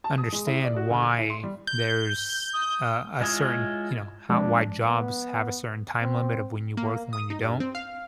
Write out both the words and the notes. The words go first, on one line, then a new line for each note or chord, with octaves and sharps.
understand why there's a a certain, you know, how why jobs have a certain time limit of when you work and when you don't,
A5
D#6
G#3
E4
D5
F#4
D2
G#5
E4
C6
G3
G6
D#6
G#3 E4 F4 C#5 D#5
F3 G#3 D4
B3
C4
A#3
D#6
D#4
G2
C4
F5